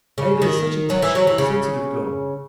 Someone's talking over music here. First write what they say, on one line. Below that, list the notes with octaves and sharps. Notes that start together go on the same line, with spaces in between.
Ada is such a touchy, sensitive girl.
C#3
D#3
F#3
E3
F#3
E3
C#3